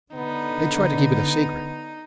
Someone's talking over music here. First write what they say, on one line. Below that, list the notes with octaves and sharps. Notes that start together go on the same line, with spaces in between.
They try to keep it a secret.
D3 B3 D#4